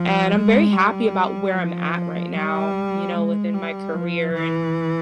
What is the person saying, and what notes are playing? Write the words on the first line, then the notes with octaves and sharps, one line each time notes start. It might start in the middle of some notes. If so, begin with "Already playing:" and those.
and I'm very happy about where I'm at right now, you know, within my career, and,
Already playing: F3
G#3
G3
F3
G3
G#3
G3
F3
E3